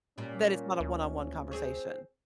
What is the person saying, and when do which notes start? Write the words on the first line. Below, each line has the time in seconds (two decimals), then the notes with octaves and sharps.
Then it's not a one-on-one conversation,
0.18 A#2 G3 C#4
0.80 D2
1.51 C4 G#4 C#5